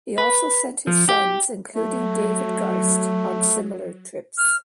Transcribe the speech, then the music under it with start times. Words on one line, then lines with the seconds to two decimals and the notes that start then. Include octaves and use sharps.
He also sent his sons, including David Garst, on similar trips.
0.18 B4
0.87 F3
1.09 G4
1.75 F#3 A3
4.37 F6